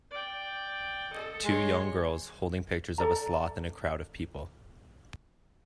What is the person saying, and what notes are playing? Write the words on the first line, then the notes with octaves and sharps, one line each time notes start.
Two young girls holding pictures of a sloth in a crowd of people.
D5 G5
A4 D#5
G#3 C#5 C6
A4 D5 A#5